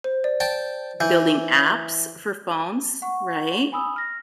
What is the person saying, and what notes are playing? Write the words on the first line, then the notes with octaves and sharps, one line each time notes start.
building apps for phones, right?
C5
D5
G5 A5
E3 G6
F#5 C#6
G#5 B5 D#6 E6
F6 A#6